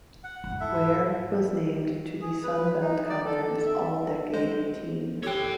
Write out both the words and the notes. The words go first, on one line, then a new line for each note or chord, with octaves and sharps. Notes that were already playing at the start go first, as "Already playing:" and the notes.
Ware was named to the Sun Belt Conference All-Decade Team.
F#5
E1 G#2
E4 A4 E5
G#4
B4
D#4
D5
A4
E5
G#3 C5 D#5
G4 A4 C#5 G5 F#6